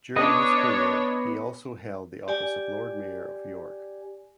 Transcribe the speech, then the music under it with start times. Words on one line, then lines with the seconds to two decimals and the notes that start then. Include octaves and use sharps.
During his career he also held the office of Lord Mayor of York.
0.16 B3 D4 C#5 D#5
2.28 G4 D5 G#5